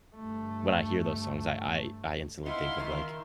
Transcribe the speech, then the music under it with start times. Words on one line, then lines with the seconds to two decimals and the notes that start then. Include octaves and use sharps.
when I hear those songs, I I I instantly think of like,
0.15 G1 A3
2.46 B3 D#4 E4 F5 C6
2.80 D#3